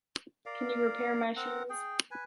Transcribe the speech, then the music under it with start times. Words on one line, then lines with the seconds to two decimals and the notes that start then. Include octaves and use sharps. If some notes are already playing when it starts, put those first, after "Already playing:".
Can you repair my shoes?
0.46 A#4 D5 F5
1.36 C4 A#4 F#5
1.70 G#4 G5
2.11 B4 G#5